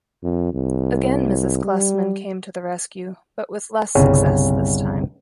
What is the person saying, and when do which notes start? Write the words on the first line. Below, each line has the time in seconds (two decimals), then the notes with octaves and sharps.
Again Mrs Klussmann came to the rescue, but with less success this time.
0.23 F2
0.54 C2
1.65 G3
3.95 G1 C2 C#3 C#4